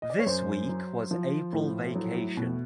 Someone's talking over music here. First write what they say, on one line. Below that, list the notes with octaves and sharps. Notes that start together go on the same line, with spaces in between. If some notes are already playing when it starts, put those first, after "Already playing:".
This week was April Vacation.
D#5
D5
C#5
F#2 C5
F#3
F3
A2
F#3
B2